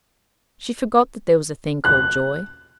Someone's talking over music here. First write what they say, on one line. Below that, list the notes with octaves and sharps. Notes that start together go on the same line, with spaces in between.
She forgot that there was a thing called joy.
F#6